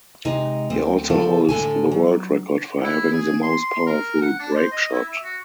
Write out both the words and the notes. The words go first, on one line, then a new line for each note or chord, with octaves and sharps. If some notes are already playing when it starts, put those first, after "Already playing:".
He also holds the world record for having the most powerful break shot.
C3 G#3 D#4
D2 C4
C#3 F3 A4 C5
A2 D3 A4 G#5
F#3
E4
G#4
C6
C6
A#4
F#5
D4
C5
D#5
E4
E5
F#4